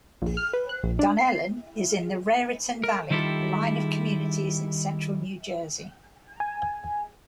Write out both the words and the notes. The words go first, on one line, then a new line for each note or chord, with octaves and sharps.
Dunellen is in the Raritan Valley, a line of communities in central New Jersey.
A#1
F6
B4
F#6
A#1
D4
C7
A#4
D#3 G3 E4 F4 G4 A4
G#5